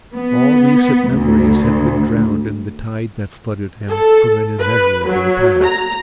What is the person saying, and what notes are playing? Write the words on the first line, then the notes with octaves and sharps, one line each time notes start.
All recent memories had been drowned in the tide that flooded him from an immeasurable Past.
B3
D2
A4
B4
F#3
A#5